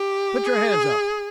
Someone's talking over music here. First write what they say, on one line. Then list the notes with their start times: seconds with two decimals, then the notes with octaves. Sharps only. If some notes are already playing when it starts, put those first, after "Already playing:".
"Put your hands up!"
Already playing: G4
0.46 G#4